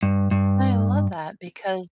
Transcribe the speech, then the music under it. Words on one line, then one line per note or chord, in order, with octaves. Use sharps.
I love that because
G2
G2